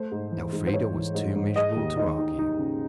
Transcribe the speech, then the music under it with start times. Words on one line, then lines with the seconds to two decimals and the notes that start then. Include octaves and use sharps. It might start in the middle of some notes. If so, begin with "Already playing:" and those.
Elfrida was too miserable to argue.
Already playing: A3 C5
0.12 G#2
0.32 E3
0.53 G#2
0.67 C5
0.73 G#2 C#5
0.94 E3
1.15 G#2
1.36 G#2
1.56 G#3 D#5
1.76 D#2
1.97 D#4 D#5
2.18 D#4
2.39 D#4
2.59 C#3